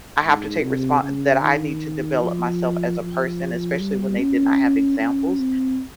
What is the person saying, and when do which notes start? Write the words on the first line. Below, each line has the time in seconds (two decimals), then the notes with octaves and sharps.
"I have to take respon that I need to develop myself as a person," especially when they did not have examples
0.23 G#2
0.62 C3
1.03 C#3
1.41 D#3
2.21 F3
3.00 F3
3.80 G3
4.19 C#4
4.99 C#4
5.39 C4